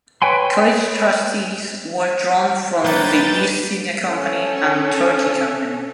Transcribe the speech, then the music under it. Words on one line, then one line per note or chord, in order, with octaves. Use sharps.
College trustees were drawn from the East India Company and Turkey Company.
B4 C#5 G5 G#5 C6
F#3 G#3 A#3 B4 C#5 G5 G6 A6
C#4 A4